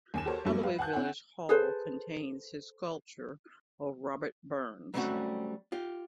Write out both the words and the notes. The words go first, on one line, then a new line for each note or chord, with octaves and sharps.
Alloway village hall contains his sculpture of Robert Burns.
D#2 G#5 E7
F#4 G4 A4 A#4 C5 C#5
A#1 G2 B2 F#3 G3
B4 F5
F#5 G#5 A5 F#6 G6
C4 E4 C#5 F#5 G#5
G#4 A4 B4 C5
F#3 G3 A3 C4 C#4 F#4
F4 G4